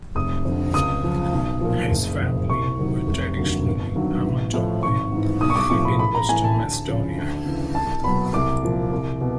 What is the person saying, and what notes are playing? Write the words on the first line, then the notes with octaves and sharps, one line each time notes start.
His family were traditionally Armatoloi in Western Macedonia.
F1 D#6
F2 D3
C#2 D#6
C#3 F3
B1
A#2 F3
F#1
F2 C#3
C2 C#6
C3 D#3 F#3
F1
D#2 D3 F#3
G1
G2 D#3 F#3
A1
A2 F3
G#1 C#6
G#2 E3
B1 D#6
C#6
D6
A2 F3 C#6
B5
A1 B5
A#5
A2 E3 G#5
A5
D2
C#3 F3
D2
C#3 E3
C2 A5
B2 F#3 B5
C2 D6
A#2 F3
C2
B2